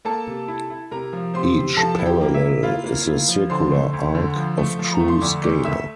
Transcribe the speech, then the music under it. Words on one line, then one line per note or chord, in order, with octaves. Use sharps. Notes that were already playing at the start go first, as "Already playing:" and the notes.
Each parallel is a circular arc of true scale.
A#3 A4 A5
C3
E4
E4
C3 A#4 A#5
F3
C3 C5 C6
C3
F3 A4 A5
E4
G4 G5
A#3
E5
A#3
E4 F4 F5
A#3
E4
F3
D3 C5 C6
A3
D2
D3
F3
A3
F3
A#5
A3
C6
D2 D5 D6
A3 D5 D6
A3 E5 E6